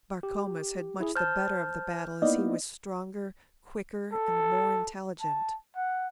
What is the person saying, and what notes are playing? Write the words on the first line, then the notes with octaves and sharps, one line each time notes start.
Bar Comas had much the better of the battle as he was stronger, quicker and more intelligent.
G4
E4 G#4
C5 A5 F6 G6
A#3 B3 D#4 E4 D5 D#5
A4
A5
F#5